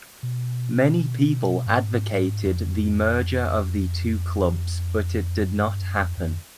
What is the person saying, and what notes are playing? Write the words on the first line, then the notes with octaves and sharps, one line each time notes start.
Many people advocated the merger of the two clubs but it did not happen.
B2
G2
G#2
F2
F#2
G2
F#2
F2
F2